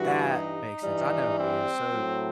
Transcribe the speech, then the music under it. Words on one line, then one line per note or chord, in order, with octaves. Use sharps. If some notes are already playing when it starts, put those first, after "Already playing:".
That makes sense, I know who he is, so
Already playing: G2 E3 G3 F#4
D#4
G2 E3 G3
C4
A2 F#3